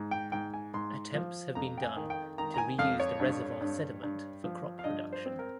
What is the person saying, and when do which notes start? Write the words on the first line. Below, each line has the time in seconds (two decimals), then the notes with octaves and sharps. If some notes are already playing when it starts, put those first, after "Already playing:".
Attempts have been done to reuse the reservoir sediment for crop production.
Already playing: G#2
0.11 G5
0.32 G#2 G5
0.54 G#5
0.74 G#2 C6
1.14 F3
1.55 F2 A#5
1.78 G5
1.83 G#5
1.96 D#3
2.10 G5
2.38 D#3 A#5
2.54 A#5
2.58 G#5
2.78 F2 F5
3.00 C#5
3.20 G2
3.61 G2
4.03 G2
4.44 F3
4.79 F5
4.84 G2 D#5
5.13 C5
5.26 C4
5.39 A#4